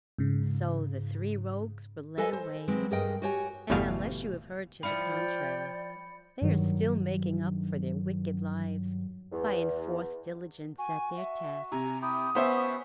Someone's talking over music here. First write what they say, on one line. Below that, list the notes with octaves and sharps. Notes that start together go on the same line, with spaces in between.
So the three rogues were led away, and unless you have heard to the contrary, they are still making up for their wicked lives by enforced diligence at their tasks.
G#2 C#3
A4 B4 D#5 G#5
C5
E3 F#3 G#3 C4
G2 G#4 A#4 D#5 G5
F#4 G4 C#5 G#5
G1 E2 B2 G3 A3 F5
F3 E4 F4 D5 G5 B5 C#7
G2 D#3 F#3
E2
F#4 G#5
E5
C3 G#5 A#5
E4 G4 G5 D#6
B3 C#4 F#4 C5 E5 B5